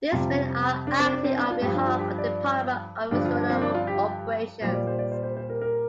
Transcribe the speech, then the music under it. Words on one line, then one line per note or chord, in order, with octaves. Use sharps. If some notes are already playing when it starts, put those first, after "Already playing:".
These men are acting on behalf of the Department of Extranormal Operations.
F2 C3 G3 F4
D4
C4
D4
C4
D4
F4
G2 F3 G4
D4
F4
G4
D5
G2 D3 F3 D4
F4
D4
C4
D4
F4
G4
A#2 G3 C5
D5
C5
D5
C5
C5
C5
A#4
A#4